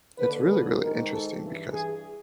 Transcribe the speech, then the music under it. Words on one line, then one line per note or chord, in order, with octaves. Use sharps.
it's really, really interesting because,
D#2 D3 B4
B4
G#2 D#3 A#4
A4
G2 E3
G#4